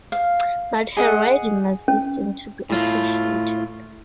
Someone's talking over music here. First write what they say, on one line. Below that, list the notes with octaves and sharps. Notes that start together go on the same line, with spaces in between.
But her riding must be seen to be appreciated.
F5
G#4 D#5 F#5
C#4
A2 F4